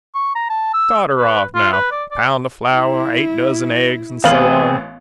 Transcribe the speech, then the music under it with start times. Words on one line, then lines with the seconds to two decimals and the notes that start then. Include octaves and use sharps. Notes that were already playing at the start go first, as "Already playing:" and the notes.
Start her off, now--pound of flour, eight dozen eggs, and so on.
0.15 C#6
0.35 A#5
0.49 A5
0.73 E6
1.17 B4
1.55 F4
1.72 B4
1.92 D5
2.11 D5
2.74 E4
4.24 A1 B3 C4 G#4 F5 F#7